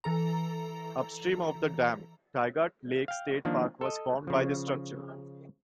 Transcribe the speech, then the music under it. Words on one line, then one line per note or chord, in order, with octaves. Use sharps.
Upstream of the dam, Tygart Lake State Park was formed by this structure.
E3 A4 A#5
F5 G5
D#3 F3 A#3 D4
A4 D#5
C#3 F3